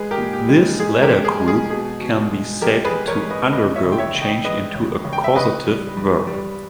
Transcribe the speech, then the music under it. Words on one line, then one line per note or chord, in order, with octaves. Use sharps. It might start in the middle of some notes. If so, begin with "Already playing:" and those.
This latter group can be said to undergo change into a causative verb.
Already playing: G#3 G#4 B4
G4 A#4
A#2
G4
G#3
G#3 G#4
G4 A#4
G#3
G#4
G#3
G#4
B2 G#4
B2
G#3
G#3 G4 A#4
G#4 B4
G#3
A#4 C#5
G#3
B4 D#5
C#3 B4 D#5
C#5 E5
C#3
G5
C#5 E5
C#3
D#5 G5
G#3 B4 D#5
C#3
C#3
G5
E5
C#3 B4 D#5
G3
G3
G3